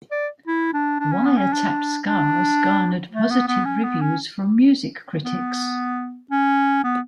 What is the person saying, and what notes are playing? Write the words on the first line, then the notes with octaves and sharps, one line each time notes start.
"Wiretap Scars" garnered positive reviews from music critics.
D5
E4
D4
D4
C#4
B3
C#4
D4
D4
A3
B3
B3
C#4
B3
C#4
B3
C#4
B3